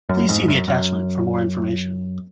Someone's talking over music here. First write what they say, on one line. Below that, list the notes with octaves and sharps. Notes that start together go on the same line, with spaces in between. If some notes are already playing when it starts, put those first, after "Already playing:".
Please see the attachment for more information.
F#2
F2 G#2
F#2
F#2